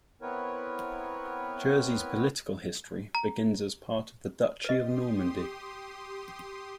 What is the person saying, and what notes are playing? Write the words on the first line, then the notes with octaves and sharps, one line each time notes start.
Jersey's political history begins as part of the Duchy of Normandy.
B3 C4 E4 A#4 B4 C#5
A#5
G4 B4 D#5 C6 D#6